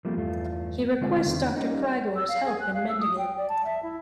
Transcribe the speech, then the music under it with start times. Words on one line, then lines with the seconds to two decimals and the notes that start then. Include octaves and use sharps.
He requests Doctor Crygor's help in mending it.
0.05 F3 G3 A3 A#3 C4
0.17 E2 G2 A3 F4
1.01 D3 G#3 A3 C4 F4 C5
1.25 E2 D3 D#3 A3 A#3 C4
1.56 G3 A#3 C#4 D#4
2.15 E6
2.28 F5
2.45 G#4
2.60 F#6
2.73 F5
2.88 E6
3.00 D#6
3.18 G5
3.37 D5
3.49 A5
3.65 E5
3.82 E4